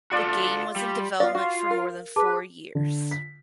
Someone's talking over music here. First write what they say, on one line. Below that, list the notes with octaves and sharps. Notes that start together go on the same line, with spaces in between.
The game was in development for more than four years.
F4 F#4 A4 D5 F5
G3
B3 F4 D5 F5
F4 F#4
A#4
G#4 B4 A5 D6
D3
B6